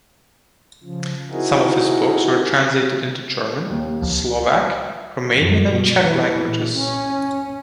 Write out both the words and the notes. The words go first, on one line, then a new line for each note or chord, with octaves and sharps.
Some of his books were translated into German, Slovak, Romanian and Czech languages.
C#3 F3
C4 D#4 E4 F#4 G#4 A#4
D#2
C#2 F3
F#2
B2
E3
A#2
C#4